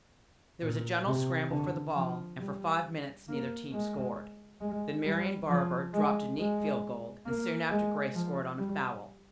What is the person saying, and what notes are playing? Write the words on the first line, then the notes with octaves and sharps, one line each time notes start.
There was a general scramble for the ball, and for five minutes neither team scored; then Marian Barber dropped a neat field goal, and soon after Grace scored on a foul.
A#2
C3
D3
F3
G3
A#3
G#3
G#3
G3
F3
G#3
G#3
A#3
G#3
F3
G3